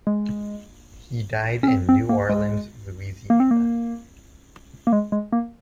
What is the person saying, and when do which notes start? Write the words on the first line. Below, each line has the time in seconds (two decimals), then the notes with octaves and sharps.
He died in New Orleans, Louisiana.
0.07 G#3
1.63 C#4
1.68 C4
1.89 C4
2.09 A#3
2.29 G#3
3.30 A#3
3.40 C4
3.51 A#3
4.87 A#3
4.93 G#3
5.12 G#3
5.32 A#3